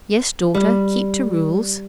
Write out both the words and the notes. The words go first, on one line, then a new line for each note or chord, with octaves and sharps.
"Yes, daughter; keep to rules."
G3